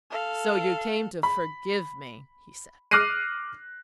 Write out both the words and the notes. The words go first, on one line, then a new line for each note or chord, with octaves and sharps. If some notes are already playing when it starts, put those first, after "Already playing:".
"So you came to forgive me?" he said.
A4 F5
B5
D6 F6 F#6 A#6 C7 D#7